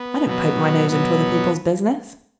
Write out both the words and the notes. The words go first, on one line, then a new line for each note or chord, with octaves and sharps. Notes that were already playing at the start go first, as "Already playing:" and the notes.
I don't poke my nose into other people's business.
Already playing: B3
B2 F#3 B3
B2 F#3 B3